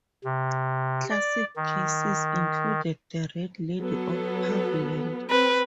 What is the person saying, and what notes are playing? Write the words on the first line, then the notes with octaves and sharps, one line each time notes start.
Classic cases included the Red Lady of Paviland.
C3
D5
D#3
F#3 B3 A4
C4 B4